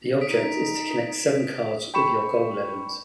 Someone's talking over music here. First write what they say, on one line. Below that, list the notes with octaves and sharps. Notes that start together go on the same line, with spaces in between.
The objective is to connect seven cards with your goal element.
D#4 D#6 B6 D7
G5 B5 C#6 E7